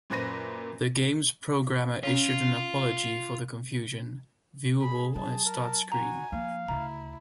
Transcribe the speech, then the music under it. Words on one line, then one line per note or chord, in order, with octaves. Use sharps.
The game's programmer issued an apology for the confusion, viewable on its start screen.
F#2 A#2 B4 C5 A#6 D#7
C#4 F4 C#5
G#4 B5
F#3 G#4 A5
A#4
F#4 G#5 A#5
F3 A#3 F5
D2 C#3 E4 A#5